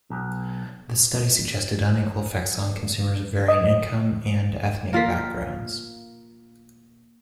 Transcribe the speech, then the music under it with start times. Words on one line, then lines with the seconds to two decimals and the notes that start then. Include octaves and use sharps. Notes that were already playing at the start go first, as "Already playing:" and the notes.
The study suggested unequal effects on consumers of varying income and ethnic backgrounds.
0.10 B1
3.48 D#5
4.93 A#3 F4 A#4 B6